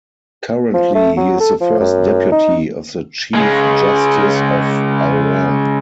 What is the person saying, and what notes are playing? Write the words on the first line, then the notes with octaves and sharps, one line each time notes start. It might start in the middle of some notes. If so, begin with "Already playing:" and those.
Currently he is the first deputy of the Chief Justice of Iran.
F3
A3
F#3
A4
F3
F#2
D#4
C#3 G#3